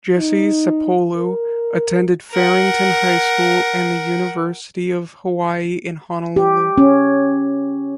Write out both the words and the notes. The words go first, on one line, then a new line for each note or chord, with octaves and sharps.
Jesse Sapolu attended Farrington High School and the University of Hawaii in Honolulu.
D#4
A#4
A#4 F#5
G4
C#4